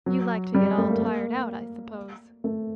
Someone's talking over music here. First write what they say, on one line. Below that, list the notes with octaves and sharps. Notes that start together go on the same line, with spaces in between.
"You like to get all tired out, I suppose."
F#3
G3
A3
A#3
A#3
A3